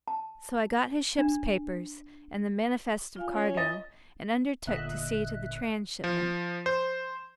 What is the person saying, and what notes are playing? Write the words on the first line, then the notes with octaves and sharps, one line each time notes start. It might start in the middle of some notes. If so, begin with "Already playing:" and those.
So I got his ship's papers, and the manifests of cargo, and undertook to see to the trans-shipment.
A5
D4
F4 F5 G#5
C#4
D#5 A6
G1 A#2 D3 D#5 E5 F#6
F3
C5